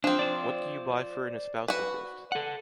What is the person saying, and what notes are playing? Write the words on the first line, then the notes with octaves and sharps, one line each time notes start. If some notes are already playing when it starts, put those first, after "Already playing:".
What do you buy for an espousal gift?
F3 C4 D4
C5 D5
F#4 B4
A4 F#5